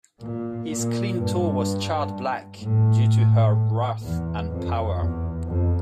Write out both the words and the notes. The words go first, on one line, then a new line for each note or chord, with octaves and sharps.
His clean toe was charred black due to her wrath and power.
A#2
A#2
G2
A2
E2
F2
E2
F2